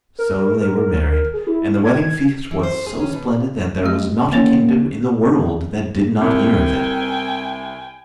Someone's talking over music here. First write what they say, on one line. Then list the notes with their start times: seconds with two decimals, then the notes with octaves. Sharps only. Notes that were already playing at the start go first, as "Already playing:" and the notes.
So they were married, and the wedding feast was so splendid that there was not a kingdom in the world that did not hear of it.
0.19 A#4
0.61 A#4
1.34 G#4
1.47 E4
1.84 G#6
2.51 E3
2.63 C5
2.87 G#4
2.99 C#4
3.13 B2
3.83 A3 G4 D#5
4.32 A#3 B3 C#4 C#5
6.21 C2 G5 G#5